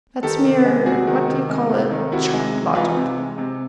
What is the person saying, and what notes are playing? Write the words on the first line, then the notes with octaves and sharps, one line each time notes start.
That's mere--what do you call it?--chop logic.
D#3 G4 A4
C3
G#3
C3 F#4 G#4
D#3
C3
G#3
C3
D#3
C3 E4 F#4
G#3
C3
E3 D#4 F4
C3
G#3
C3